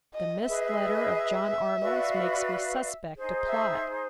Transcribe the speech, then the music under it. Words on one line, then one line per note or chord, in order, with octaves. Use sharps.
The missed letter of John Arnold's makes me suspect a plot.
D#5
G#4 B4 D#5 E5
F#4 B4 D5 F5
D#4 G#4 C5
E5